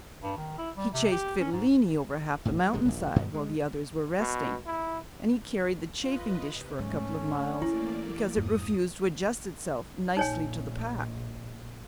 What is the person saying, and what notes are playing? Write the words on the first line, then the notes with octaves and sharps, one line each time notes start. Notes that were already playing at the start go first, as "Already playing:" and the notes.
He chased Fidilini over half the mountainside while the others were resting, and he carried the chafing-dish for a couple of miles because it refused to adjust itself nicely to the pack.
G2
D#3
E4
G3
C3
G4
C#4
G#2
D1 G1 D2 A2
F#3
G1 C3 G#3
D#1 A#1
G2 B2 D#3 B3
G#3
B2
E4
F4 B4 D#5
C3
G#2 F3 A3 C#4
E3 A3 A#3 E4 D5
F2 G#2 D#6
A#1 D#4 C#5 G#5